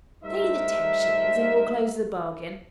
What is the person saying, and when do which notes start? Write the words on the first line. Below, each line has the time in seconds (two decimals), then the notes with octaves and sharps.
Say the ten shillings, and we'll close the bargain.
0.24 G3 A3 D#4 A#4 C5 E5